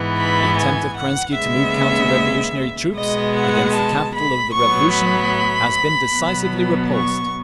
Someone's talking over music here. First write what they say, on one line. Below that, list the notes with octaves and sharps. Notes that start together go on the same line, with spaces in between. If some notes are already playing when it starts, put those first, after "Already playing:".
The attempt of Kerensky to move counter-revolutionary troops against the capital of the Revolution has been decisively repulsed.
Already playing: G#2 E3 B3
B5
G#5
F#5
D#2 C#3 G#3 B3 E5
B2 G#3 B3 D#5
F#5
A5
B5
A2 F#3 B3 C#6
B5
B2 F#3 B3
C#6